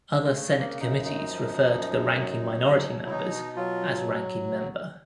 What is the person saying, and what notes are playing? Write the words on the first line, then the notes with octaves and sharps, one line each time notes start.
Other Senate committees refer to the ranking minority members as Ranking Member.
G#3
C#3 A3
A#3
F#2 D#4
D#4
F3
F#2
F#3
B2
E4
B2 D#4
F#3 F4